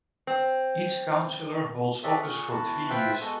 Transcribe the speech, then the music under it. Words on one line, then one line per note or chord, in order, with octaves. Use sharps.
Each councilor holds office for three years.
C4
C4 F#4 G#4 A4 D5 E5
A#2 G#4 F#5 C#6 F6
E2 E3 F#4 B4 A5
F4 B4 C5 E5 G5
G#3 B3 F#4 A4